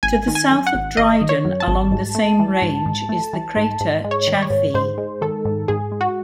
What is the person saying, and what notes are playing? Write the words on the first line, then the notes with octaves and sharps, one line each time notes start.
To the south of Dryden along the same range is the crater Chaffee.
G#1 G#5
D#3
G#5
F#2
F#5
G#1
G#1 D#5
D#3
C#5
F#2
A5
G#1
G#2
A3
E3
G#2
G#2
A3
E3
G#2
G#2
G#3
C#5
D#3
C#5
G#2
G#2 C5
G#3
D#3 A4
G#2
G#2 G#4
G#3
F#4